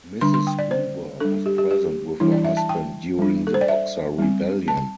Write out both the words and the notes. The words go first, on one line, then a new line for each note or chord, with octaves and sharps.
Mrs. Hoover was present with her husband during the Boxer Rebellion.
D3 G3 D4 C6
C6
G5
D5
C5
G3 D4 A4
G4
G4
G4
E3 G3 D4 E4
D5
E5
A5
G5
G3 D4
A4
C5
D5
E5
G3 C4
A5